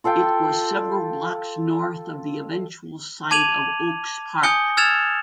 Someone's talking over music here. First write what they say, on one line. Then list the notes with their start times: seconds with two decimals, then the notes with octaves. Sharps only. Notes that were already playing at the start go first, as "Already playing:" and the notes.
It was several blocks north of the eventual site of Oaks Park.
0.04 F4 A4 F5 G5
3.31 A5 D6 G#6 D#7 F7 F#7
4.43 G#5 D#6 G6 C#7 G7
4.77 E6 F6 G#6 A6 E7 F7